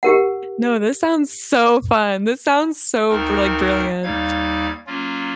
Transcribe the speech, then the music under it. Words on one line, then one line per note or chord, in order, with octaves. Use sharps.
No, this sounds so fun. This sounds so brilli brilliant.
G4 A#4 F#5
D2 C4 D#4 A#4
D#2 G3 D#4 F5 G#6
F#3 A#3 C#4 F4